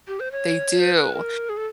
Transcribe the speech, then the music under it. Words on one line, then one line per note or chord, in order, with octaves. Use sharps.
They do.
G4
C5
C#5
C5
B4
A#4
G#4
A4